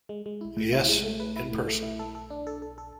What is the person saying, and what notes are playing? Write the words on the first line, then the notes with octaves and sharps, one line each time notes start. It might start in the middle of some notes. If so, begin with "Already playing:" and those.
Yes, in person.
G#3
G#3
E4
A2
E4
G#3
A3
B4
E4
A3
A3
E4
A4
A4
D4
A4
A4
A4